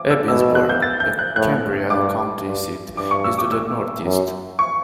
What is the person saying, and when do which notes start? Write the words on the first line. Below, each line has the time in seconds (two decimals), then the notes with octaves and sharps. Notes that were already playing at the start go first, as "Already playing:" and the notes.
Ebensburg, the Cambria County seat, is to the northeast.
Already playing: D6
0.11 E6
0.28 B2 E6
0.42 E6
0.55 F#6
0.69 G6
0.82 A6
1.00 G6
1.19 F#6
1.36 A2 F#6
1.90 G2 D6
2.44 G2
2.97 G2 D6
3.11 C#6
3.24 E6
3.38 D6
3.52 E6
4.05 F#2
4.59 C#6